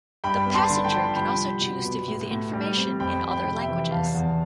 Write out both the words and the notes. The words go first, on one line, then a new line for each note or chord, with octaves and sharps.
The passenger can also choose to view the information in other languages.
G2 G5 B5
B3
A5 C6
D3
G5 B5
F3
C2 G5 B5
C2
B2
B3
A2
A2
G3
C4
F2 G5 B5
F2
G5 B5
C3
E5 G5
E3
E2 F5 A5
E2